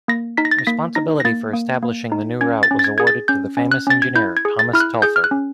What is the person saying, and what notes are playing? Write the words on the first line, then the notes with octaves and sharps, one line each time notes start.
Responsibility for establishing the new route was awarded to the famous engineer, Thomas Telford.
A#3 A#6
D#4 B6
A#6
A6
A#6
A#3 B6
D#4 A#6
A#6
A#3 A6
A#3
A#3
D#4
C#4 G#6
A6
C#4
A6
G#6
G#4 G#6
A6
C#4 G6
C#4
F#6
C#4 A6
G#6
E4 G6
G#6
G#4
A6
E4 F6
F#6
G#4 G6
F6
F#6
C#4